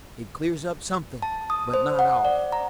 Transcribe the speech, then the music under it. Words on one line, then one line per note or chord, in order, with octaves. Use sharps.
It clears up something, but not all.
A5
D#6
C5
F#5
D5
A#5